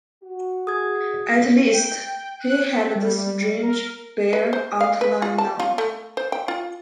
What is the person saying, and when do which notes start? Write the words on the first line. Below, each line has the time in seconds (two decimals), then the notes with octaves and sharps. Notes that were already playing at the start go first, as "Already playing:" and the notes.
At least he had the strange, bare outline now.
0.24 F#4
0.67 G#4 D#6 G#6
1.73 G5
2.40 F#6
2.70 C4
2.95 G3
3.63 A#4
4.33 B4
4.53 C5
4.81 F5
5.01 B4
5.22 F4
5.38 A5
5.59 F4
5.78 A3
6.17 C5
6.32 G5
6.48 F4